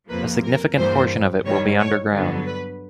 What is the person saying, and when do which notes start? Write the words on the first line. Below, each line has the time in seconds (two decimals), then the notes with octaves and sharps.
A significant portion of it will be underground.
0.09 F2 C3 F3 A#3 B4
0.43 A#4
0.77 G2 E3 G3 A#3 C5
1.45 G2 D#3 G3 C#5
1.79 C#5
2.13 G2 D3 F#3 B3
2.47 B4